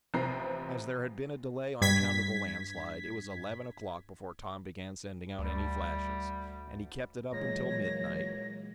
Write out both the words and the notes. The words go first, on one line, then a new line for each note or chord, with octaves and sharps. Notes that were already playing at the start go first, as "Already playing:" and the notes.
As there had been a delay on account of the landslide, it was eleven o'clock before Tom began sending out any flashes, and he kept it up until midnight.
A1 C3 F3 B4 A#5 C7
G2 G#6 B6
D2 G3
A#2 E3 F#3 G#3 A#3 C#5 A#6